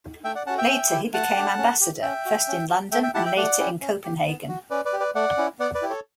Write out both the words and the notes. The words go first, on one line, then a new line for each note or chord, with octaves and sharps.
Later he became ambassador, first in London and later in Copenhagen.
A3 E5 G5
D5 F#5
C#4 F#4 F#5 A5
E5 G5
C#4
E4 G4
A3 F#5 A5
D4 G4
C#4
G4
C#4 E5 G5
F#4
C#4
F#4
A3 E5 G5
E5 G5
E4 G4 F#5 A5
E5 G5
A3 D5 F#5
C#4 E4 G4
C#4
G4
B3
F#4
C#4 B4 D5
B4 D5
G4
B4 D5
A3 D5 F#5
C#4 E4
B3 D5 F#5
B4 D5
E4 G4
A4 C#5